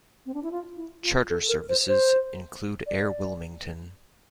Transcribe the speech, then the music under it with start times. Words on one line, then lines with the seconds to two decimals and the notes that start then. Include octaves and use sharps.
Charter services include Air Wilmington.
0.26 C4
0.34 D4
0.43 E4
0.51 F4
0.76 E4
1.03 F4
1.30 A4
1.48 A#4
1.69 C5
1.88 C5
2.86 D5